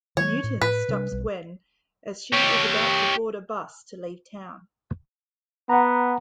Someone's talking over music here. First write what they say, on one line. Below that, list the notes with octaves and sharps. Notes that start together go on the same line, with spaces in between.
Newton stops Gwen as she is about to board a bus to leave town.
D#3 F#3 A#3 C#5
A2
A2 B4
C3 G3 D4
B1 G3
G4 C#5
B3 F#5 A#5